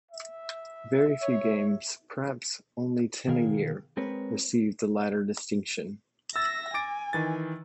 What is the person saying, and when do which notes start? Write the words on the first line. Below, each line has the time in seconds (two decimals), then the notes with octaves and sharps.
Very few games, perhaps only ten a year, received the latter distinction.
0.11 E5
1.22 C#5
3.28 B2 D#3 G#4 A#4 F5
3.97 G#3 C4 A#4 B4 C#5
6.36 E5 E6 A6 A#6
6.74 G#5 D6 A6 D7
7.13 D#3 E3 A6